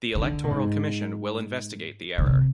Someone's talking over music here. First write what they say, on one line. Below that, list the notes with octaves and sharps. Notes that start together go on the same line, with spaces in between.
The Electoral Commission will investigate the error.
D#3
D3
B2
G#2
D3
C3